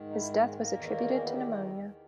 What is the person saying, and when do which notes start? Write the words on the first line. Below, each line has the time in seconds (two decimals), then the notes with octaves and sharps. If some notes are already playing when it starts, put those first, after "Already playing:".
His death was attributed to pneumonia.
Already playing: G#2 D#3
0.10 D#4
0.16 E4
0.29 G#3
0.42 G#3
0.55 A#3
0.68 E2 D#3
1.08 C#4
1.20 B3
1.32 G4